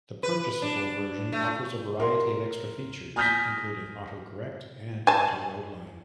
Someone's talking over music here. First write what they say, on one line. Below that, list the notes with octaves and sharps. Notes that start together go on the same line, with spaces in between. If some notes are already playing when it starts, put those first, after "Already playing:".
The purchasable version offers a variety of extra features, including Auto-Correct and Auto-Outline.
B4
D4
A3
A#4 C6
G#5 D#6 F6 G6 A#6 B6
G#5 A5